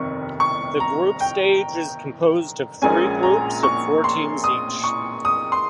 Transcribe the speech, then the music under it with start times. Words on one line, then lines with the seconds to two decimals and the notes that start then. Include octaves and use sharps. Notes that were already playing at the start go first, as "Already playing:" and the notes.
The group stage is composed of three groups of four teams each.
Already playing: G1 F2 C3 D#3 C#6
0.40 C#6
0.80 A#5
1.20 G5
2.82 A#1 A#2 G#3 C#4 G#5
3.23 A#5
3.63 C#6
4.04 C6
4.44 D#6
4.84 C#6
5.25 D#6
5.52 C6